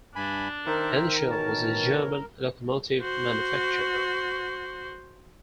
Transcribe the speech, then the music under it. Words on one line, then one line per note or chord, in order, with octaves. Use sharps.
Henschel was a German locomotive manufacturer.
G2 D4 G#5 B5
D#3 A#4 C5 E5
B2 E3 C#5 A5
F#4 C5